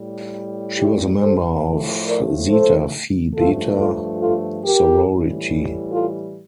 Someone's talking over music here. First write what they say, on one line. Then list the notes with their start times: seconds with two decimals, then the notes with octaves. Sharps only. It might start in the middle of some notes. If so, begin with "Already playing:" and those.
She was a member of Zeta Phi Beta sorority.
Already playing: A2 G3
0.77 E4 G4
1.21 A4 C5
1.64 A2 F3 A3
2.06 A#4 D5
2.49 A4 C5
3.35 G2 F3 A3 F4 A4
3.78 F4 A4
4.21 F4 A4
4.64 G4 A#4
5.07 A2 E3 G3
5.92 F4 A4